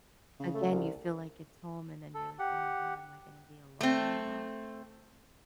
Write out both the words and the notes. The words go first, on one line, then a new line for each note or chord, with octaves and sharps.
again, you feel like it's home, and then you're like, "Oh my god, am I gonna be alone now?"
C#3
A3
C2
A4
G4 F#5
A3 C4